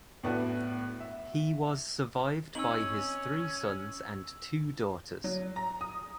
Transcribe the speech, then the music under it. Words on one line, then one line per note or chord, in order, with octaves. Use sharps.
He was survived by his three sons and two daughters.
A2 A3 B3 D4 E4 F#4
E5
C4 C#4 D#4 D#5 E6 F#7
F#3
A#5
D#6